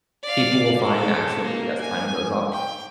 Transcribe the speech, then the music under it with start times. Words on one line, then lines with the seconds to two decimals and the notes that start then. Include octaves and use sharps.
people will find naturally as time goes on.
0.23 D5 F5
0.79 G#3 A4
1.43 A#3
1.79 G#5
2.52 G5